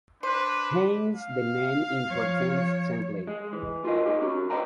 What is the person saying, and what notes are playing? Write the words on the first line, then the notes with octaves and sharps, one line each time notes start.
Hence the name importance sampling.
D4 B4 C5
F5
F3 C#5
G#3
E3
F4 F#4 G#4 A#4 D#5
D#4 G4
C#4 F#4
B4 D5 D#5 F#5 G5 A#5